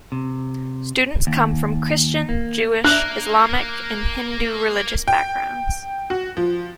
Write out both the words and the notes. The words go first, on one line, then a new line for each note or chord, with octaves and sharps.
Students come from Christian, Jewish, Islamic, and Hindu religious backgrounds.
C3
D#2
A#3
A#3 D4 A#4 E5 F#6
G5
F#4
F3